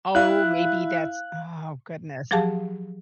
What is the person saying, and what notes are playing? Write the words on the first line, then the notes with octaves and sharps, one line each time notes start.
Oh, maybe that's Oh, goodness.
E4 F5 F#6
F3 F#3 G4 G#4 F5 A5